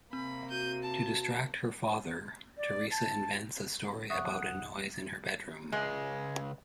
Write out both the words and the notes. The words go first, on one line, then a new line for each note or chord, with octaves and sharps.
To distract her father, Teresa invents a story about a noise in her bedroom.
C3 A#3 C4 B5
F#4 G6 D#7
A5
D5
A5
C2 F2 F3 E5 F#5 C#6 D#6
C#2 C#3 G#3